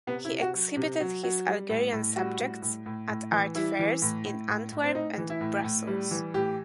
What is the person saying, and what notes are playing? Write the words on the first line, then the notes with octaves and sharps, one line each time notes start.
He exhibited his Algerian subjects at art fairs in Antwerp and Brussels.
C3 B3
E4
C3
F#4
F#3
C3
F#3
F#3
G3
A2
A2
G3 F#4
A2
A2
A2
A2
E3
G3 E4
E3
A2
A2
A2
A2
C4
A2 D#4
E3
E4
A2
A2
G3
E3
A2 G4